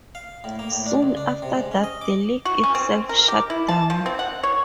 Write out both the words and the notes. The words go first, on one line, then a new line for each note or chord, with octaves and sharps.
Soon after that the league itself shut down.
F5
A2
A#3
A2
D4
C#2
D4
C3
G#2
C#4
D#5
D6
F#4
C#4
C4
A#4
G4
E4
A5
F3
C4
F#5
C#5